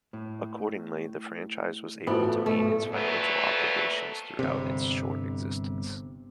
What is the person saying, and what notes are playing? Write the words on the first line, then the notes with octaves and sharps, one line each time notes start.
Accordingly, the franchise was able to meet its financial obligations throughout its short existence.
A2
A1 B3 F4 F#4 A4 C5
B1 G#2 A3
F2 A#2 F#3 A3 B3
G1 C3